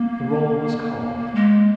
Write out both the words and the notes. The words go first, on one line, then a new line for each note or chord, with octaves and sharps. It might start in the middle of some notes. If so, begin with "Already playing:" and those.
The roll was called.
Already playing: A#3
G#3